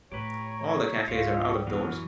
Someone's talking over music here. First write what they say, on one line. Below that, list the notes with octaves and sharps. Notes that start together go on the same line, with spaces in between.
All the cafes are out of doors.
A2 G4 B4 C#5 A#5
C#2 G#2 F4 C#5 F5
G3
F#2 E3 F#3 B3 F6